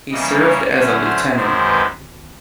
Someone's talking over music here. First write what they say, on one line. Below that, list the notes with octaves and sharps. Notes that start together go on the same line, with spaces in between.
He served as a lieutenant.
C#3 E3 G3 A#3 D#5
C#5
D3 F#3 A3 C#4
C5
F#2 D#3 G#3 C4
B4